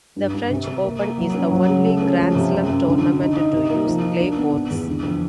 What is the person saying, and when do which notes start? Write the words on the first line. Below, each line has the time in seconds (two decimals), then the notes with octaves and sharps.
The French Open is the only Grand Slam tournament to use clay courts.
0.16 G2
0.34 G2
0.51 C3
0.67 C3
0.84 A#3
1.01 A#3
1.18 F#3
1.34 C#4
1.51 F#3
1.68 C#3
1.85 A3
2.02 C#4
2.19 F3
2.35 C3
2.51 F#2
2.69 F#2
2.85 D3
3.02 D3
3.19 D#4
3.36 D#4
3.53 C3
3.70 A#3
3.87 F3
4.03 D#4
4.20 D4
4.37 B3
4.53 C3
4.70 E2
4.87 D3
5.03 F2